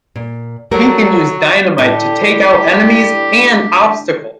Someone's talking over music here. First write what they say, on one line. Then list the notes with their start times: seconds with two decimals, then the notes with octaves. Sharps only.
He can use dynamite to take out enemies and obstacles.
0.16 A#2
0.71 F#3 G3 A3 A#4
1.78 A2 D3 G3 A3 E4 G4 G5